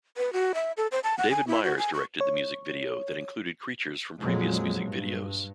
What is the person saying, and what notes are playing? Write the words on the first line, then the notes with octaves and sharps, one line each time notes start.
David Meyers directed the music video, that included creatures from previous music videos.
B4
F#4
E5
A4
C5
A5
F#5
G#5
E4
F#4
G#5
C#6
C#5
F2 A#2 F3 F#3 G#3
G2